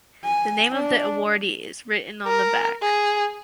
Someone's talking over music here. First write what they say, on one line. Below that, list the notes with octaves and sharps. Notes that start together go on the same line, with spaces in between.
The name of the awardee is written on the back.
G#5
D4
A#4
G#4